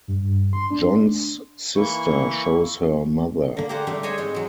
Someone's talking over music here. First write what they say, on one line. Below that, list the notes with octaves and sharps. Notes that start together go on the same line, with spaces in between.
John's sister shows her mother.
G2
C6
D4
E3 A#3 E4 C#6
D3 A#3
G4 G#4 A#4 C5 F5 F#5
G3 A3 D4 G4
G#4 C5 C#5 D#5 G#5
G#2 G#3 C4
F#3 G#3